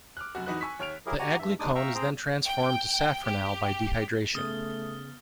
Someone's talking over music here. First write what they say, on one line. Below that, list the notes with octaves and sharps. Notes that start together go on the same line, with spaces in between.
The aglycone is then transformed to safranal by dehydration.
D6 F6 F#6
F1 F#2 F#4
E2 D#4 F#4 B4 F#6
G#5 C#6 E6 B6
D#2 C#5 F6 D7 F7
F#3 E4 G4 G#4 A#4
F#4 G4 F#5 G#5 A#5
G2 E5
D#2 G#3 D4 D#4 D6 D#6
E5 F5 G5 A#5 C#6 E6
C4 G#4 C5 G5 A#5
G5
G4
C#3 A3 B3 D#6 F6 A6 G7